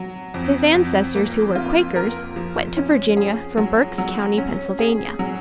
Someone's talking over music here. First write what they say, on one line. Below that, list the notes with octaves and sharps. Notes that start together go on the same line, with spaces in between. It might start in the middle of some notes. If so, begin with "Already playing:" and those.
His ancestors, who were Quakers, went to Virginia from Berks County, Pennsylvania.
Already playing: F#3
F2
F2
A#3
F4
A#4
F3
C#4
G#4
F#3
F#3
C#4
G#4
F#3